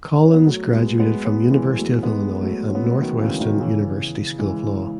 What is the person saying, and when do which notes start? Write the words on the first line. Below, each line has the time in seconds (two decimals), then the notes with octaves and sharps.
Collins graduated from University of Illinois and Northwestern University School of Law.
0.22 C#4
0.34 B3
0.47 F#3 A3
0.73 G#3 B3
1.00 G#3 B3
1.25 G#3 B3
1.51 E3 G#3
1.77 F#3 A3
2.03 G#3 B3
2.42 F#3 A3
2.67 C#4
2.75 B3
2.82 F#3 A3
3.01 D#3 F#3
3.20 C#3 E3
3.41 D#3 F#3
3.60 C#3 E3
4.39 E3 G#3